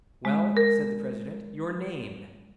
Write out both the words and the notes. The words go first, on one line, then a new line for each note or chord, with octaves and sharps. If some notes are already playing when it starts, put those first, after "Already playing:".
"Well," said the president; "your name?"
G#3
A#4